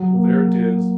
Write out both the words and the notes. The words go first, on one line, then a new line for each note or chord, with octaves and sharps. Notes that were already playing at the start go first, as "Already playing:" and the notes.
Well, there it is.
Already playing: F#3
A#3